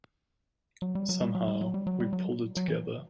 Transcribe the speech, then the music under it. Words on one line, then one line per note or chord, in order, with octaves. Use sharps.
Somehow, we pulled it together.
F#3
G3
F#3
G3
F#3
G3
F#3
G3
F#3
G3
F#3
F#3
E3